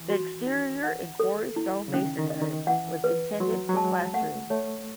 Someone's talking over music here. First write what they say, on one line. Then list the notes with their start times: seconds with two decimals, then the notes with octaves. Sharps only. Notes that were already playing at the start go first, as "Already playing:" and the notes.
The exterior in quarry stone masonry was intended for plastering.
Already playing: E3
0.09 F#4
0.47 D#4
0.84 F#5
1.20 A4
1.56 E4
1.88 C#3
1.93 D#3 C#4
2.18 D#3
2.30 D#5
2.42 D#3
2.67 E3 F#5
3.04 B4
3.40 F#3 F#4
3.69 F#3
3.77 G#3 A5
4.13 A3 F#5
4.50 A3 C#5